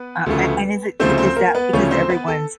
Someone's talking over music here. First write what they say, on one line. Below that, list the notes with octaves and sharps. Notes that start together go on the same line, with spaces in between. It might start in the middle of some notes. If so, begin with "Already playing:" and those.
Uh, a and is it jus is that because everyone's
Already playing: B3 B4
D2 C#3 F3 A3
D2 C#3 F3 A3 C4 C5
C4 C5
A#3 A#4
B3 B4
D2 C#3 F3 A3 C#4 C#5
C4 C5
B3 B4
A4